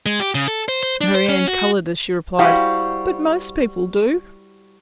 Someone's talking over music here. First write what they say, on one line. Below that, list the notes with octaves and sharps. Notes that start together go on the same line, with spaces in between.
Marianne coloured as she replied, "But most people do."
G#3
G4
C#3
A4
C5
C5
D4
C5
C#4
F#4
G3 E4 F#4 C5 F5